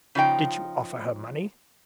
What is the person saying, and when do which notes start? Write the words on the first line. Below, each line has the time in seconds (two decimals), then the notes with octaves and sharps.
"Did you offer her money?"
0.15 C#3 F3 D#4 G5